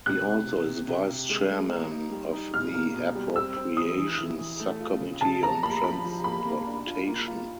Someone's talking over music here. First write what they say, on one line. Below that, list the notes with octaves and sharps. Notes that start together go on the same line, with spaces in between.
He also is vice-chairman of the Appropriations Subcommittee on Transportation.
C3 F#6
C3
C3
C3
C3
C3
G#3
G#3
A#3
D#4
G3
D#4
B2 F6
A#3
B2
G3
C4 E6
C4
E3 D#6
E3
E3
E3
A3
F4
C#3
C#3 A5
F3 A#5
A#3 B5
F3 B5
F3
A#3 B5
A#3
D4
F4
A#3
F4